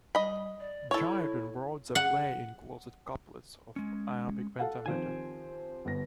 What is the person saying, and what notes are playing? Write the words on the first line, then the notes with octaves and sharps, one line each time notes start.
Dryden wrote the play in closed couplets of iambic pentameter.
G3 D#5 B5
D5
E4 A4 C#5
F#5
G#3 C#4
A4 F5 F#5
D#3 F3 C4 G4 C5 G#5
G1 B3 A#6